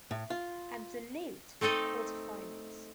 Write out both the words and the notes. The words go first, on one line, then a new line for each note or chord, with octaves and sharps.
Absolute: Quarter finals.
A2
F4
A3 C4 D#4 A4 D#5